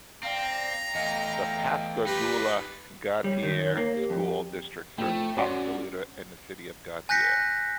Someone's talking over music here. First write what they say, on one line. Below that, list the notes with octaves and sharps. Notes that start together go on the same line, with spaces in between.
The Pascagoula-Gautier School District serves Pascagoula and the City of Gautier.
C4 D5 F5 G5 A#5
E2 A3 D#5 F5 G5
D#4 F4 G4 B4
G3 C#5
D#3
A#3
G4
F2
A2 F3 A3 C4 G5
F#2 F#4 C#5 D5 C6
G#5 F#6 G6 A#6 B6 C#7